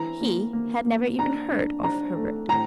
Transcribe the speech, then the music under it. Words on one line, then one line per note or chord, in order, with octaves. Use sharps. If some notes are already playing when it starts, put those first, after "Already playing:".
He had never even heard of Herbert.
Already playing: E3 A#5
A#3
A#3
A#3
D4 A#5
D4
D4 A#5
A3
A2 A#5